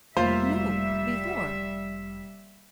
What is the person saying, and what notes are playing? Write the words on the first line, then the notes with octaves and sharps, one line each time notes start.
"No, before."
F1 G3 A#3 F4 C5 E5